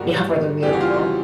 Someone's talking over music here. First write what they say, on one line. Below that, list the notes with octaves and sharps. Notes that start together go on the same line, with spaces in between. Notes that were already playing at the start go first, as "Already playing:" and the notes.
Yeah, for the vehicle.
Already playing: G#2 D#3 G3 F#4
F2 C#3 E3 G3 G4
F#4
F4
F#4
F4